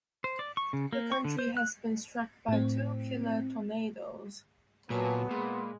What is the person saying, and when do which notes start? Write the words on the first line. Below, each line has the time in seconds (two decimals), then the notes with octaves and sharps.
The county has been struck by two killer tornadoes.
0.24 C5
0.39 D5
0.57 C#6
0.73 C#3
0.93 A#3
1.12 C#6
1.24 D3
1.39 C5
1.57 F#6
2.48 A2 C4
4.90 A#2 F#3 B3 B4 G#5 A5
5.31 A#2 G#3 B5 C6